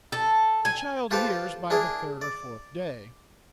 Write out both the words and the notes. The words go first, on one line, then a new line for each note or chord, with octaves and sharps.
The child hears by the third or fourth day.
A4
G#5
F4 G4 A4 B4 C5 F5
D4 E4 G#4 A#4
D5